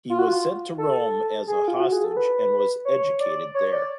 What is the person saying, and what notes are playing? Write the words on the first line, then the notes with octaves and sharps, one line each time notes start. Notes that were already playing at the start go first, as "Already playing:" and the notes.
He was sent to Rome as a hostage and was educated there.
F4
F#4
F4
A4
G#4
F4
F#4
G#4
A4
B4
C#5
D5
C#5
D5